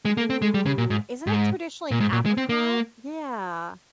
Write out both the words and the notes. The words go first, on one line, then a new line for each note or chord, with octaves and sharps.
Ooh, isn't it traditionally apricot? Yeah.
G#3
A#3
C4
G#3
G3
C#3
A#2
G#2
G#2
A#2
G#2
A#2
G#3
C4
A#3